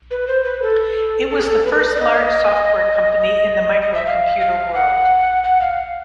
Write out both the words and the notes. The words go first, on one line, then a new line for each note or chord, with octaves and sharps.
It was the first large software company in the microcomputer world.
B4
C5
B4
A4
A4
G#4
A4
B4
A#4
B4
D5
D#5
D#5
E5
F5
F5
F#5
F#5
F5